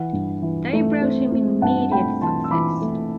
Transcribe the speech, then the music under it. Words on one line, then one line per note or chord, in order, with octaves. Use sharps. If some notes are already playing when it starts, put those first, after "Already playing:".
They brought him immediate success.
Already playing: E3 F#5
G2
E3
A3
C4
C4
G2 F#5 A5
A3 G5 B5
E3 A5 C6
E6
E3 B5 D6
A3